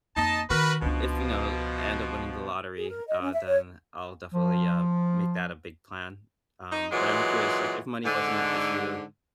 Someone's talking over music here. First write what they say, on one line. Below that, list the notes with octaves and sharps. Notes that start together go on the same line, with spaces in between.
if, you know, end up winning the lottery, uh, then I'll definitely, uh, make that a big plan. Um, but I'm curious, like, if money wasn't an issue
F2 A#3 D#4 D#5 A5
D#3 F#4 A#4 B4
C#2 B2 F3 D4
G#4
A#4
D#5
C#4
E5
C#5
F3
D#4
A#2 E3 F#3 G#3
G#2 D3